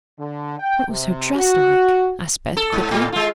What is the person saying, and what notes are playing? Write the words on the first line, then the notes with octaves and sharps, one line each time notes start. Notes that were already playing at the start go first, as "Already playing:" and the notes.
"What was her dress like?" asked Beth, quickly.
D3
G5
C3
F#4
A4
G#2
A2
G#3 F4